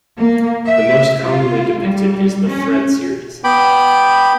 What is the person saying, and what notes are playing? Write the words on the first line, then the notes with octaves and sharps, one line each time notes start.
The most commonly depicted is the "Fred" Series.
A#3
E5
F4
G3
C#4
B3 G5 B5 D6